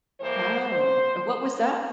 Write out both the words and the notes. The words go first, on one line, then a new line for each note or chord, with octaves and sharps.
Oh, and what was that
A2 E3 G3 A#3 C5
C5